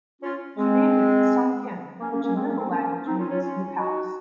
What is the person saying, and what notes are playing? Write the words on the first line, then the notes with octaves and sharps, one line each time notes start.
She named it "Song Khim" which in Limbu language means "New Palace".
C#4 F4
G#3 C4
A#3 C#4
A#3 C#4
A#3 C#4
G#3 C4
A#3 C#4
C4 D#4
A#3 C#4
C4 D#4
C#4 F4
C#4 F4
C#4 F4
D#4 F#4